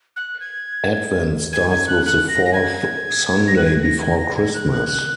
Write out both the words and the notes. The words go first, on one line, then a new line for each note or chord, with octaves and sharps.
Advent starts with the fourth Sunday before Christmas.
F#6
G#6
G#6
G#6
F#6
F#6
A#6
A#6
G#6
G#6
A#6
F#6
G#6
A#6
G#6
A#6
G#6
F#6
F#6
F#6